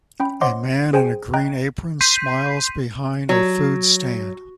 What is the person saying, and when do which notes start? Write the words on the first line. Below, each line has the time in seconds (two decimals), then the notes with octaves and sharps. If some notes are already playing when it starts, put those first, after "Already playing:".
A man in a green apron smiles behind a food stand.
0.20 C#4 G5 B5
0.41 C5 C#5 D#5 F#5 C6 D6
0.93 G#4 C5 G5 G#5
1.34 D#5 G5 A#5 F#6
2.01 C6 G6 B6 C7 D#7
3.29 F#3